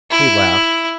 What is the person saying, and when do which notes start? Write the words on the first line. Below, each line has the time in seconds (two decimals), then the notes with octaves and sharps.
He laughed.
0.10 E4